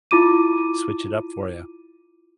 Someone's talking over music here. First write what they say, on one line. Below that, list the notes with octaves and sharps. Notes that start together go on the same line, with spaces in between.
switch it up for ya.
E4 F4 D6 D#7